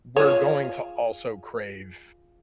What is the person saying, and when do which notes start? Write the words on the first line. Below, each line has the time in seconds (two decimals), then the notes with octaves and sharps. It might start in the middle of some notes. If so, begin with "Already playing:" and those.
we're going to also crave
0.17 F4 G#4 C#5 E7